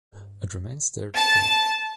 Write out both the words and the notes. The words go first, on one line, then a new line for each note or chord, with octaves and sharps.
It remains there today.
A5